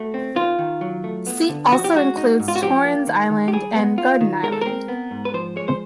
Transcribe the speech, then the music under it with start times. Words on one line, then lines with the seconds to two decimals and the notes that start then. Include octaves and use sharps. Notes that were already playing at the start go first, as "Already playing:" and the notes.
The seat also includes Torrens Island and Garden Island.
Already playing: A3 F#4
0.14 C4
0.36 D#3 F4
0.59 D#3
0.81 F#3
1.04 A3
1.27 B3
1.49 D3
1.72 F3 F#4
1.84 G4
1.94 G#3 F#4
2.17 D#4
2.40 G#2
2.48 F4
2.55 F#4
2.62 F3 G4
2.85 A#3
3.07 D#3
3.30 D#3
3.48 G4
3.53 G3 G#4
3.76 B3
3.98 F4
4.21 D#3
4.43 G#3 A#4
4.52 A4
4.62 C4 A#4
4.88 B3
5.11 G#2
5.25 B4
5.34 F3 C5
5.56 G#3 C#5
5.68 C5